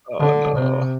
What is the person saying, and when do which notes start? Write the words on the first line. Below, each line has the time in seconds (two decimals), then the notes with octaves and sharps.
Oh, no.
0.20 D3
0.58 C3